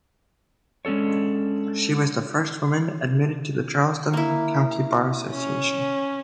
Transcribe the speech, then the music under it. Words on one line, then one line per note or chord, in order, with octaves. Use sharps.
She was the first woman admitted to the Charleston County Bar Association.
G#3 C#4 D4 A4 C#5
A#3 E4
C#4